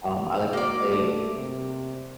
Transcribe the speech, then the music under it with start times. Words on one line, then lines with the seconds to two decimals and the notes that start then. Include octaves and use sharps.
um, I like to play,
0.53 A#3 F#4 D5
0.90 A3
1.36 C3